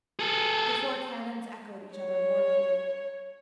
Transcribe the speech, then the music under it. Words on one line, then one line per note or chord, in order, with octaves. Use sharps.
The four cannons echoed each other mournfully.
G#4 A4
C#5